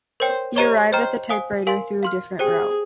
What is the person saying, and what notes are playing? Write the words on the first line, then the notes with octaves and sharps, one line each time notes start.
He arrived at the typewriter through a different route.
A#4 C5 C#5 G5
G4 C5 C#5 D#5 A#5 C#6
C5 D#5 G5 A#5 F6
C5 F5 G#5 D#6
A#4 F5 G#5 C6
F5 C6 F6
G4 G#4 C5 G5